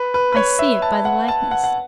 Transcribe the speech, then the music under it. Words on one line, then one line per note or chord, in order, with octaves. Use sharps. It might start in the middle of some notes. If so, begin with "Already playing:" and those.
I see it by the likeness.
Already playing: B4
B4
B4
C#5
E5
A5
F#5
A5
F#5
F#5